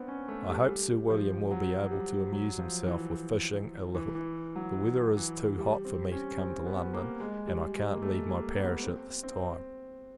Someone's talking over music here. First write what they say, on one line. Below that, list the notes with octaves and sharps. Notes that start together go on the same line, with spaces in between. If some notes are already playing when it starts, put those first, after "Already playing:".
I hope, Sir William will be able to amuse himself with fishing a little. The weather is too hot for me to come to London, and I can't leave my parish at this time.
Already playing: B3 C4 D4
C#4
A3
G3
G3
F3
F#3
G3
F#3
F3
E3
E3
E3
F#3
E3
G3
C4
C#4
C4
B3
A#3
G#3
G3
G#3
A#3
A3
A#3
B3
C4
C4